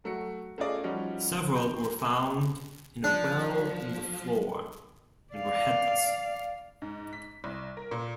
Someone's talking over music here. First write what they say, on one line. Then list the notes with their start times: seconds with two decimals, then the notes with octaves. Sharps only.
Several were found in a well in the floor and were headless.
0.04 F#3 A3 F#4 C#7
0.58 A3 C#4 F4 G#4 D5 D#5
0.84 F3 G3 C#4 D#4 F#4
1.55 G4 A#5 G6
3.04 F3 D4
5.33 D5 F5
6.82 G#2
7.13 B6
7.44 C2
7.77 A#4
7.91 A#2